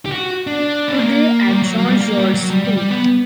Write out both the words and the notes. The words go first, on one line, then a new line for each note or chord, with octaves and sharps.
Today at Jean Jaurès school.
G4
F#4
D4
B3
A#3
G3
F#3
A#3
G3
A#3
G3
F#3
G3
G3
G3
B3